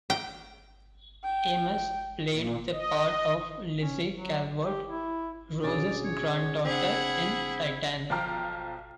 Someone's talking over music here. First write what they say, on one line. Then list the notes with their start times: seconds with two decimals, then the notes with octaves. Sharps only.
Amis played the part of Lizzy Calvert, Rose's granddaughter, in "Titanic".
0.10 G5
1.24 G5
2.29 A#2
2.73 D#5
3.78 C#4
4.11 F#3
4.63 G4
4.87 E4
5.64 B2 C#4 D4 F#4 G#4 D5
6.05 C#5
6.65 C#3 C4 D4 E4 G#4 F#5
8.10 B1 F3 F4 G5 A#5 F6